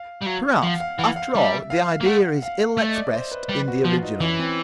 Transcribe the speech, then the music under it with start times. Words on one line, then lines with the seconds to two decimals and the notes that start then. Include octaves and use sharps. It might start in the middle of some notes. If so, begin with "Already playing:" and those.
"Perhaps, after all, the idea is ill-expressed in the original."
Already playing: F5
0.22 G3
0.27 F#3 F5
0.55 F#5
0.63 F3 F5
0.80 F5
0.99 E3 F#5
1.16 F5
1.35 G3 E5
1.70 F5
2.01 A#3
2.05 A3 F#5
2.42 F5
2.77 A3 E5
2.89 D#5
2.95 D5
3.14 C5
3.32 B4
3.49 G3 B4
3.68 F#4
3.84 F3 F4
4.03 D#4
4.20 E3 C#4
4.39 C4